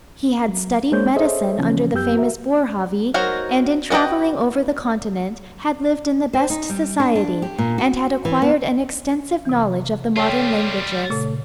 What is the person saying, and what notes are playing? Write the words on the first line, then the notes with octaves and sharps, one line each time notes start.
He had studied medicine under the famous Boerhaave, and, in travelling over the Continent, had lived in the best society, and had acquired an extensive knowledge of the modern languages.
F#3
G#3 A#3 D4 C5 C#5 G6
G#4 A4 C5 C#5 D#5 E5
C#3 E3 F3 B3 C#4
F#2 B3 G4 E6 G6
F#4 A#4 E5
F#3 D#4 F#4 A#4 C5
B3 F#4 B4 D#5 G5
C5
D#4
G3
D4
D4
G4
A#2
F#4
E3
B3
C3 E3
G3 F4 A4 C#5 G5
A#2 C#3 A3 A4 C#5